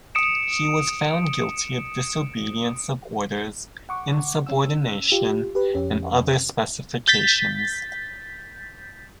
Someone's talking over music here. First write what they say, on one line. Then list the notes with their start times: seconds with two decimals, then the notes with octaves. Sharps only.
He was found guilty of disobedience of orders, insubordination, and other specifications.
0.15 D#6 C#7 D7 E7
3.89 F#5 C#6 D6
4.47 C#4 E6
5.12 F4 G4
5.55 G4 B4
5.74 F2 C#4 G4
7.08 G6 A6 B6